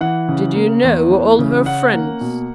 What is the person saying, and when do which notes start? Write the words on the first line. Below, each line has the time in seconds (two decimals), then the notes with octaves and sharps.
"Did you know all her friends?"
0.01 E3 F#5
0.28 C#3
0.55 A#3
0.84 E2
1.11 E3
1.39 C#3
1.66 C#4 F#5
1.93 A#3
2.21 B2